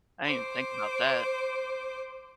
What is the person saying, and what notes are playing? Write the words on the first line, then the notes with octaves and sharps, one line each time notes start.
I didn't think about that.
C5 D6